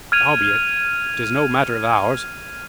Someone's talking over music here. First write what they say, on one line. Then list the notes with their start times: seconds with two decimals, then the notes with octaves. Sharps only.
Howbeit, 'tis no matter of ours.
0.12 F6 G#6 D#7 F7